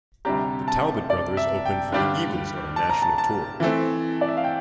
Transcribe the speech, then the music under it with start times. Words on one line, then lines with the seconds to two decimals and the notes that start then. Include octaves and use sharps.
The Talbot brothers opened for The Eagles on a national tour.
0.25 D2 C3 G3 D4 G4 A#5
0.68 A5
1.10 D5
1.37 E5
1.65 G5
1.92 G2 D3 G3 D4 G4
2.76 A5
2.89 A#5
3.02 A5
3.18 A5
3.60 E3 A3 C4
4.21 D5
4.28 E5
4.37 F5
4.44 G5